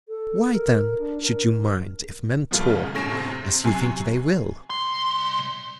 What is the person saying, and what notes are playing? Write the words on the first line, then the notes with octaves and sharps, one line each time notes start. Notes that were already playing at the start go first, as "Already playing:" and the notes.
Why then should you mind if men talk as you think they will?
A4
A#4
D4
A#4
B2 F3 G3 A#3 F4 A4
E2 G#2 C#3
G1 A2 C#4 A#6 D7 E7
C3 C4
C3 F#3 G#5 C#6 C7
C2 C6